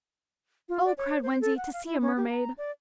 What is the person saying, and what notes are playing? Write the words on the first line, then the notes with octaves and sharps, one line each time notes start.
"Oh," cried Wendy, "to see a mermaid!"
F4
D5
C#5
C5
A4
F#5
F5
E4
C#4
G4
A#5
D5